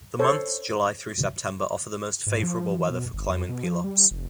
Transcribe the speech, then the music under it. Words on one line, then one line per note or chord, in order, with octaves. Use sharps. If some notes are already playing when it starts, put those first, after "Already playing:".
The months July through September offer the most favorable weather for climbing Pelops.
A4 C5 C#5
G#2
F3
E3
B2
G1
F2
B2
F3
G3
F1